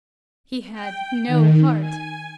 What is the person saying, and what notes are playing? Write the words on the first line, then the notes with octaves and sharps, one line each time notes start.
He had no heart.
G5
D#3
G#5